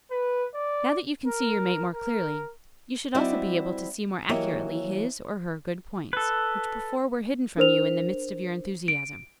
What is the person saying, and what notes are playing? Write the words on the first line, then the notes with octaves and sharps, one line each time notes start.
Now that you can see your mate more clearly, you should also be able to see more accurately his, or her, good points, which before were hidden from you in the mist of your enthusiasm.
B4
D5
A#4
A#4
G3 C4 E4 F#4 D5 D#5
E3 F#3 A#3 G4 C#5 D#5
A4 B4
D4 A#4 C5 F7
D7